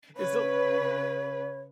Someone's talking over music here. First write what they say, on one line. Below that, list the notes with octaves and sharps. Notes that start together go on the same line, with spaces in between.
It's a l
C#3 B4 C#5